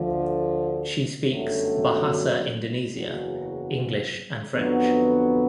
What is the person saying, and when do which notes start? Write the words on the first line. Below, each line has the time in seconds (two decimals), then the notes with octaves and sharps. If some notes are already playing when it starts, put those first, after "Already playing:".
She speaks Bahasa Indonesia, English and French.
Already playing: D2 D3 F3
1.30 G1 F#2 D3 F#3 A3
2.91 F#1 E2 C#3 F#3
4.53 F2 D3 F#3 B3